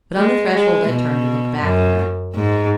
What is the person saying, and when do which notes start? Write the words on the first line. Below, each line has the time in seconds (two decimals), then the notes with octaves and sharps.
But on the threshold I turned and looked back at her.
0.16 G#3
0.53 G#3
0.89 B2
1.62 F#2
2.34 G#2